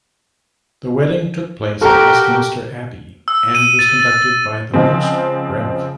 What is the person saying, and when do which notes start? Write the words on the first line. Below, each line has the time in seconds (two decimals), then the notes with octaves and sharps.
The wedding took place at Westminster Abbey and was conducted by The Most Rev.
1.81 F#4 G4 A4 A#4 A#5
3.28 E6
3.55 D#7
3.79 A6
4.00 A6
4.74 C#3 F3 G#3 C4